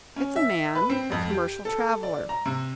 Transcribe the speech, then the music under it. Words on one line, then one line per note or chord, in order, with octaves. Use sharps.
It's a man--a commercial traveler.
C#4
E5
B4
C4
F2
G4
A4
D5
A#5
C3